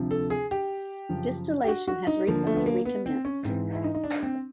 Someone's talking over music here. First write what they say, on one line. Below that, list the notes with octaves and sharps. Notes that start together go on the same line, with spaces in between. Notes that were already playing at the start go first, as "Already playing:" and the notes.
Distillation has recently recommenced.
Already playing: D2 C3 F3
A4
G#4
G4
F#2 C#3 F3
G4
F#4
F#4
D#4
D2 D3 F3 A#3
A3
B3
A#3
B3
C4
C#4
G#2 E3 C4
E4
D#4
D#4
D4
C4